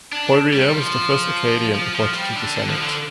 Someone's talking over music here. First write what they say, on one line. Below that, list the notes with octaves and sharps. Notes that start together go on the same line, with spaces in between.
Poirier was the first Acadian appointed to the Senate.
D4
G3
F3
F3
F3
G3
D3
D3
F3
D3